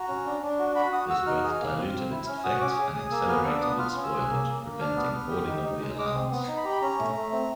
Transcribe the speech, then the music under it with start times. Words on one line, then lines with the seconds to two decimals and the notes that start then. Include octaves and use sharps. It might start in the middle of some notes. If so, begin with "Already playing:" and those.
This both diluted its effects and accelerated its spoilage, preventing hoarding of the allowance.
Already playing: F#4 A#5
0.08 C#4
0.26 D4
0.42 D4
0.59 F#4
0.76 F#4 B5
0.93 F#4 D#6
1.10 F#4 E6
1.26 D#4 F6
1.44 G#4
1.61 A#3
1.77 C4
1.93 C4
2.11 E4
2.27 C#4 F6
2.44 F#4 D#6
2.54 C#6
2.61 C#4 D6
2.70 D#6
2.77 G#4 D6
2.94 G#4 D#6
3.11 A#3 E6
3.28 B3 F6
3.45 D4 E6
3.57 D6
3.62 B3 D#6
3.78 F4 F6
3.96 C#4
4.04 E6
4.12 G#4
4.29 A#3
4.46 A#3
4.63 A#3
4.80 D4 F6
4.96 B3
5.13 B3
5.30 G4
5.48 D#4
5.64 D#4
5.80 G#3
5.98 G#3 D6
6.06 D#6
6.15 C4
6.31 B3 D#6
6.48 D#4
6.57 B5
6.64 G4 A#5
6.72 B5
6.82 C#4 A#5
6.99 A3
7.16 A3
7.32 C4